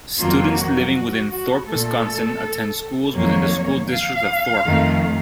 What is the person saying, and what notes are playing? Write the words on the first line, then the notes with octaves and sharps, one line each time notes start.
Students living within Thorp, Wisconsin attend schools within the School District of Thorp.
F2 D#3 F#3 A#3 F4
F#4
F#4
F#4
A#2 A3 A4
F2 D#3 F#3 A#3 C#5
F5
F2 D#3 A3